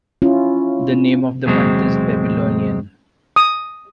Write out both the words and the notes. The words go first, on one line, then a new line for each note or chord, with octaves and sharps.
The name of the month is Babylonian.
C#4 E4 F4
E2 C3 F#3 G#3 C4
D#6